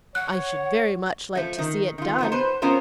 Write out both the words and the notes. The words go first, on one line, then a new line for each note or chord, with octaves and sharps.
'I should very much like to see it done.
C#5 F#5 F#6
F3 A3
D#3
D#3 F4
F3 B3 D#4
B4 C5
B3 C#4 F4 A#4 C5